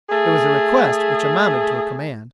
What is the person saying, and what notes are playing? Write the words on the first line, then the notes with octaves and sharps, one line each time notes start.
It was a request which amounted to a command.
A3 G#4